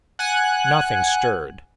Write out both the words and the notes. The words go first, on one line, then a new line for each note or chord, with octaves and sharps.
Nothing stirred.
F#5 G#5 F#6